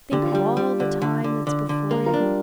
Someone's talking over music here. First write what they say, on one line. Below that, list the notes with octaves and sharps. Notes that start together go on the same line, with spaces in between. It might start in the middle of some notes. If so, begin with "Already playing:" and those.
Think of all the time that's before you.'
D3 G4
F4
G3 D4 G4
G3
D3
D3
D3
D3
D3
A#3 A#4
F4 A#4
D4
G3